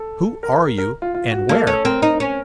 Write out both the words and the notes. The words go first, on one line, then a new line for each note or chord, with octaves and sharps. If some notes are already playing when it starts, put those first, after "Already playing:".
"Who are you--and where?"
Already playing: A4
A#4
A#4
F4
F4
F#4
A#3 A4
C#4 A4
C4 A#4
D#4
C#4